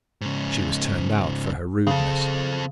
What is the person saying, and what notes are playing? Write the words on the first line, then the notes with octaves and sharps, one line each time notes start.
She was turned out for her rudeness.
G#2 C#3
C#3 C4 A4